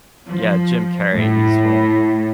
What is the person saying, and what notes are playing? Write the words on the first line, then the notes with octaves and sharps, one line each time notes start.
Yeah, Jim Carrey. He's one of the,
F3
A2